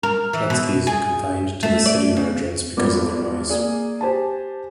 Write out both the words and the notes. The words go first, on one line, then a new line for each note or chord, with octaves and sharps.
Jet skis are confined to the city margins because of their noise.
A#4
E3
B2
G#4
A3
D5
C#3
G#1 G2 F3 B3 A#4 D6
A#3 G#4 D5
G4 C5 G#5 A5